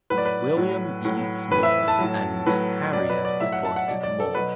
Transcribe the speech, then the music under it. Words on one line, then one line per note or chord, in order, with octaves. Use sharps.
William Eves Moore and Harriet Foot Moore.
A2 F#3 B4
D5
B4
A2 F#3
A2 F#3
A2 E3 B4
E5
A5
A2 F#3
A2 F#3 B4
B2 F#3 D5
B4
D5
A2 F#3 E5
F#5
A5
F#5
B2 F#3 D5
D5
A4
B2 F#3 B4